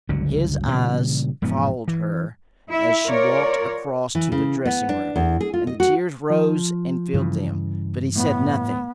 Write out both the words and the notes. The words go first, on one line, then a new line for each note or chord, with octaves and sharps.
His eyes followed her as she walked across to the dressing-room, and the tears rose and filled them, but he said nothing.
G1 C#2 D3 F#3
A#2 C#3 E3 G3
E1 G#2 F3 B3
E3
E4 E5
F4 A#4 C#5 D5
E3
C#3
B3
D4
E2
G#4
F4
D#5
F#4
F3
G2 C#3 E3
A2 B3